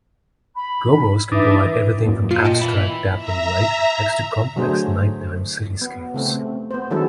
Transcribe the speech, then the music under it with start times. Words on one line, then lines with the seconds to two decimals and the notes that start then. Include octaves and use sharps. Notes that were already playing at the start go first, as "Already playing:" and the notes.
Gobos can provide everything from abstract dappled light effects to complex night-time cityscapes.
0.55 B5
1.32 E3 D4 D#4 E5
2.06 F#2 A#2
2.31 A#2 F4 C7
2.45 D#5 G5 A5
2.61 E3 E4
3.15 E5 A#5
4.56 D3 F#3 A3 D4 G#4 C5
5.82 B3
6.14 C#3 A3 C4
6.71 B3 C5
6.90 D#3 F#3 G#3 D4 E4 A4